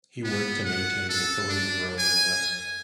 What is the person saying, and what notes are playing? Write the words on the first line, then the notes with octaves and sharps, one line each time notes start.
He worked to maintain the authority of Rome in the West.
B3
F#5
A4
D4
G#5